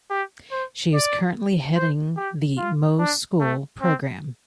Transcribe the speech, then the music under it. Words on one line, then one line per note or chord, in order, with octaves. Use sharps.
She is currently heading the "Mo school" programme.
G4
C5
D5
C5
G4
F4
D4
A3
C4